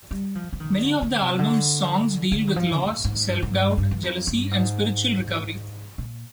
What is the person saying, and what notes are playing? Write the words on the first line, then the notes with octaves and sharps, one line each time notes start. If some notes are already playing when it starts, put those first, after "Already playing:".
Many of the album's songs deal with loss, self-doubt, jealousy, and spiritual recovery.
G3
F3
F3
D#3
D3
D3
C3
D3
D3
D#3
F3
A#2
G#2
G2
G#2
G2
G2
G2
F2
G2
G#2
A#2